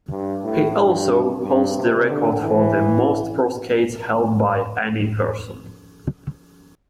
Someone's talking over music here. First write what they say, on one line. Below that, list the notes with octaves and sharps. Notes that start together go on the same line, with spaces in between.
He also holds the record for the most pro skates held by any person.
G2
A2
G2
G2
C3
D3
E3